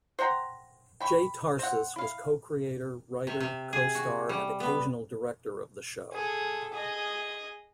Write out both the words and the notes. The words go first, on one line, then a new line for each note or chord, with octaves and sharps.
Jay Tarses was co-creator, writer, co-star and occasional director of the show.
C5 F#5 G5 A#5
G5 B5 C#6
C4 F#5
E4 F5
C3
C3
G#4
F#4
G3
B3
G#4 A4
G#4 D#5